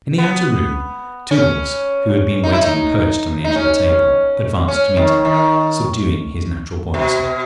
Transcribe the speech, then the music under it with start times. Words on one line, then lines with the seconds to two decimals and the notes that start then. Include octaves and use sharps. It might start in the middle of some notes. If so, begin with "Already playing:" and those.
In the outer room Toodles, who had been waiting perched on the edge of a table, advanced to meet him, subduing his natural buoyancy.
0.18 B3
1.31 C#4
2.44 D#4
2.52 E4
2.61 D#4
3.44 D#4
3.56 C#4
4.68 C#4
4.97 D#3
5.25 D#3
6.94 B2